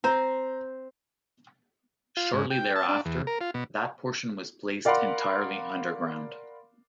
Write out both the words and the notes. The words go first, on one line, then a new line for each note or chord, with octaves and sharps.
Shortly thereafter, that portion was placed entirely underground.
C4 C5 A#5
F4
G#2
G5
A5
D4
E2
A#4
F4
B2
A#4 D5 F5 F#5 B5 C6